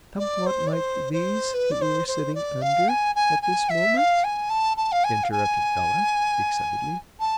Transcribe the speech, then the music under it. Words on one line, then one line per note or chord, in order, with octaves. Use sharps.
"Somewhat like these that we are sitting under at this moment?" interrupted Ella excitedly.
D5
C5
D5
C5
C5
B4
D5
C5
C5
D5
F5
G#5
G#5
G#5
E5
F5
G#5
A5
A5
F5
G#5
F5
G#5
A5